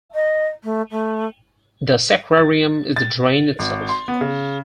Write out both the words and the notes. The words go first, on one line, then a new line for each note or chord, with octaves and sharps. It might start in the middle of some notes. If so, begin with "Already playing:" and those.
The sacrarium is the drain itself.
D#5
A3
A3
A6
A6
G#1
C6
B3
C#3